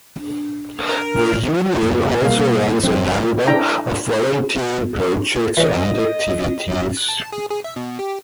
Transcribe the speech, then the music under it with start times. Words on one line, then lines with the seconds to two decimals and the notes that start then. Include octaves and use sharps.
The Union also runs a number of volunteering projects and activities.
0.19 D4
0.89 A#4
1.82 E2 G2 A#3
2.22 B2 G3 A#3 F5
2.83 D#1 F3 F#3 C4
3.47 D4 E4 A4 E5 G5 A#5
5.57 E3 C#4 D#5
6.97 F#6
7.09 A5
7.32 G#4
7.50 G#4
7.64 E5
7.76 B2
7.99 G4